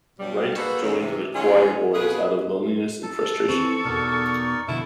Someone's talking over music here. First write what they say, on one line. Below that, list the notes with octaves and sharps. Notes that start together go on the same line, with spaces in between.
Wright joined the choirboys out of loneliness and frustration.
G2 B2 F#3 G3
A#3 F#4 G#4 A4 B4 C5
D#2 G#3 C#4
G#2 C3 E3
A2 D#3 G#3 C#4 F4 G#4
F2 B2 F4 G#4 B4
A4
E3 C4 C#6
E2 G#2 B2 D#4 A#4 D5
B2 D3 F3 E4 A5